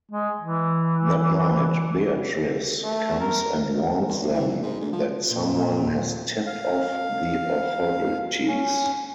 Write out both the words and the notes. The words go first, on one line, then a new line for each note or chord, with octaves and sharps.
That night Beatriz comes and warns them that someone has tipped off the authorities.
G#3
E3
A3
A#4
E2
C#2
E3
G#1
G#2
D2
F3
A#2
F5
C#4